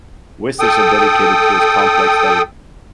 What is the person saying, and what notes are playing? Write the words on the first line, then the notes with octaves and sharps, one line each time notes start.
Wizards are dedicated to its complex study.
A4 G5 D#6